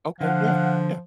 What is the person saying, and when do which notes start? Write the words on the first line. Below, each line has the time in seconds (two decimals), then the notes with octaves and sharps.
Okay, yeah, yeah.
0.21 D3 F3 F5 F#5